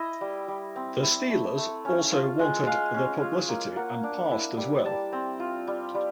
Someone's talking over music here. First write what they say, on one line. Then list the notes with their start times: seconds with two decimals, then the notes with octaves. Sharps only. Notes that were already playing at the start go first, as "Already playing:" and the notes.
The Steelers also wanted the publicity and passed as well.
Already playing: E4 D#5
0.21 G3
0.48 G3
0.76 C4
1.03 E4 E5
1.30 A3
1.57 A3
1.85 C#4
2.12 F4
2.39 G#3
2.66 G#3 F5
2.94 C#4
3.21 F4
3.49 A#3
3.76 A#3 F#5
4.03 D4
4.31 E4
4.57 G3
4.85 G3 A5
5.13 C4
5.40 F4
5.67 G3
5.95 G3